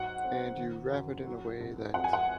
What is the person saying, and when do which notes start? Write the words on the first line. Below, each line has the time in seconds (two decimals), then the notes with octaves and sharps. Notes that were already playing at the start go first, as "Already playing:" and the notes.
and you wrap it in a way that's
Already playing: G#2 F#3 F#5
0.24 C4
0.57 D#3
0.91 F#2
1.26 F#3
1.60 C2
1.94 F2 F#5
2.04 G#5
2.13 F#5